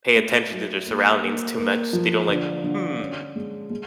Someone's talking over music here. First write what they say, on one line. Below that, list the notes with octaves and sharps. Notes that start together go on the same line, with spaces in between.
pay attention to their surroundings too much, they don't, like, "Hmm.
A3
F#3
A#3
A#3
A#3
F3
D3
D3
C#4
G#3
G#3